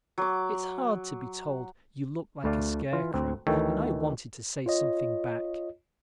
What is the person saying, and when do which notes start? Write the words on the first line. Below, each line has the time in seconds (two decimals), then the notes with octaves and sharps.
It's hard to be told you look like a scarecrow and I wanted to say something back.
0.18 F#3 D6
2.44 D2 A3 D5 F5
2.93 E3 F4
3.14 D2 C4
3.47 D2 D#3 E3 A4 C#5 G5
4.66 F4 C#5 D#5